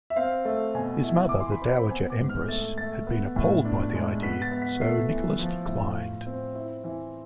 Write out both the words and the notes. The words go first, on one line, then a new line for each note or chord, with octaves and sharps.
His mother, the dowager empress, had been appalled by the idea, so Nicholas declined.
E5
C4 F5
A3
B2 G#5
E4
E3 D6
C6
B5
C4
B5
B3 G#5
D6
G#2
F6
A3 A6
A3 A6
B3
A2
D4
G#3
B3 B6
A6
B3
B6
A3 C7
E3
F3
A2
F4
C4
E4
E3